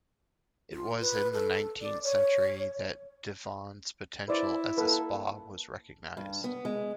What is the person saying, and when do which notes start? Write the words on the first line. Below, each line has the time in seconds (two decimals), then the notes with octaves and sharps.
It was in the nineteenth century that Divonne's potential as a Spa was recognised.
0.74 F4
1.01 B4
1.33 A4
1.82 D5
2.04 C#5
4.28 E4 B4 C5 D5
4.78 A#3 A4 B4
6.17 G2
6.44 B3
6.65 G#3